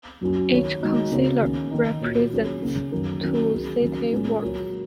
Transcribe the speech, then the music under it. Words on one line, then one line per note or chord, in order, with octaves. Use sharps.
Each councillor represents two city wards.
F#2 F#3 A#3 C#4 F#4
D#3 A#3 F#4 C#5
D#3 G#3 D#4 F#4
C#3 A#3 F#4 C#5
D#3 A#3 C#4
D#3 A#3 D#4
A#2 A#3 F#4 C#5
F#3 C#4 G#4 C#5
C#3 A#3 C#4 G#4
F#2 D#3 A#3 C#4 A#4
D#3 F#3 C#4 A#4
F#3 C#4 G#4
D#3 F#3 A#3 C#4 A#4
A#2 G#3 C#4 G#4
F#3 A#3 F#4 A#4 C#5